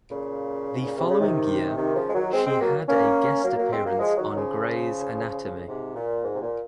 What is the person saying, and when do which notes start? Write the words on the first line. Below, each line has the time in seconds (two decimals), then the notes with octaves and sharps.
The following year, she had a guest appearance on "Grey's Anatomy".
0.09 A#2 C#3
0.74 G#2
0.86 A#2
0.97 C3
1.10 C#3
1.20 C3 D#3
1.76 C3 D#3
1.95 C#3 F3
2.08 G#3
2.14 D#3 F#3
2.32 G#3 C4
2.46 G#3 C4
2.60 F#3 A#3
2.88 A#3 C#4
3.43 F#3 A#3
3.57 F#3 A#3
3.72 G#3 C4
3.85 F#3 A#3
3.99 F3 G#3
4.17 D#3 F#3
4.36 C#3 F3
5.67 G#2 C3
5.95 A#2
6.22 G#2
6.36 C3
6.41 A#2